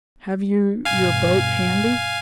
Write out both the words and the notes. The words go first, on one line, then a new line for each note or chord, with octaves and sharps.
"Have you your boat handy?"
G2 B2 F5 G#5